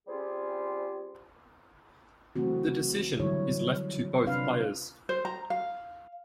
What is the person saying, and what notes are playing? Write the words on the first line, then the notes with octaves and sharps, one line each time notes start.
The decision is left to both players.
G3 C4 C#4 F4 G4 G#4
C#3 E3 F#3 A3 C4 F#4
D3 E3 F#3 G3 E4 C#5
C3 C4 D4 F4 B4 F5
C5
A#5
F5